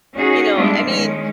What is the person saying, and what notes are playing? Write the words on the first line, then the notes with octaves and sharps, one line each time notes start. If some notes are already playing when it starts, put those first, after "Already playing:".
you know I mean,
C#4 D#4 F#4 G#4
G3 G#3 B3 D4 E4 F4
D#3 G#3 C#4